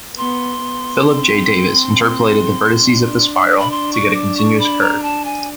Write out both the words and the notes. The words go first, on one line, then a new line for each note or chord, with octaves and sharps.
Philip J. Davis interpolated the vertices of the spiral to get a continuous curve.
B3 C6
B3
C4
D4
B5
C6
C#6
D6
C#6
B5
A#5
A5
G#5